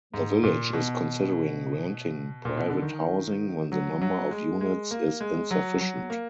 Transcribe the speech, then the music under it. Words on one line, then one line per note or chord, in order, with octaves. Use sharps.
The village is considering renting private housing when the number of units is insufficient.
G#2
A#2
B2
A#2
B2
D3
D#3
F#3
F#3
G#3
G#3
A#3
G#3
F#3
F#3
A#3